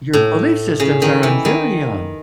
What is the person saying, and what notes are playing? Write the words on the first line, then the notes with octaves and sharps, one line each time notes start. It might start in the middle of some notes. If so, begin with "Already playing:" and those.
your belief systems are on very, um
A2
C#3
D#3
E3
D#3